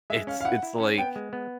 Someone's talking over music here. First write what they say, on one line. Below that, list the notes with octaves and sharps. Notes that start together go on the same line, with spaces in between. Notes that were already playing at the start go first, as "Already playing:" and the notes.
it's it's, like,
G#3 E5
C#4 F5
F5
E4 F#5
E4
C#4
B3 G5
G#3
B3